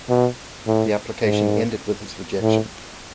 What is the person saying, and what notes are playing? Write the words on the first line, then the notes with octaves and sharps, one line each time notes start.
The application ended with his rejection.
B2
A2
G#2
A2